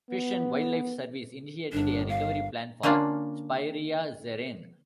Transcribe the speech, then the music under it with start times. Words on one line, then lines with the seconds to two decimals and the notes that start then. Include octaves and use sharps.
Fish and Wildlife Service initiated a recovery plan for "Speyeria zerene".
0.10 B3
1.73 G1 D4
2.09 F5
2.83 D3 A#3 C#4 D4 F4